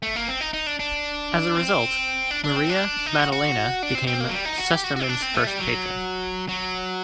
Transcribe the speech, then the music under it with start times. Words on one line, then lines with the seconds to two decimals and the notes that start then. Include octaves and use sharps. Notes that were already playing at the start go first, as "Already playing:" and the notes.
As a result, Maria Maddalena became Sustermans' first patron.
0.03 A3
0.16 A#3
0.28 C4
0.41 D#4
0.53 D#4
0.67 D4
0.79 D4
1.55 C4
2.31 D4
2.44 D4
2.56 C4
2.69 D4
3.06 D#4
3.19 F#4
3.32 F#4
3.83 D4
3.95 C4
4.07 C4
4.20 A#3
4.29 F#3
4.33 G3
4.45 D#4
4.58 F#4
4.71 G4
4.84 F#4
4.96 F#4
5.03 C4
5.09 D4
5.22 C4
5.34 A3
5.47 G3
5.59 F#3
6.48 F#3